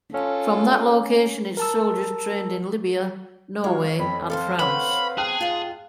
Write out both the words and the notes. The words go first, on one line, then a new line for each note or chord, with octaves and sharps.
From that location its soldiers trained in Libya, Norway, and France.
C#4 F4 A4
A#4 A5 E6
G#3 F4 F#4 C#5
F2 B5
A4 A#4 C5 F5
C4 B4 C#5 F#5 B5
G#4 G5 A5 F#6
G#2 F4